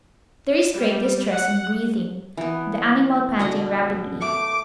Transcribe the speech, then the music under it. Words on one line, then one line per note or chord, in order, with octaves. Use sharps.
There is great distress in breathing, the animal panting rapidly.
G3
F#5
E3 B3
B2 D3 D#5
A3 D6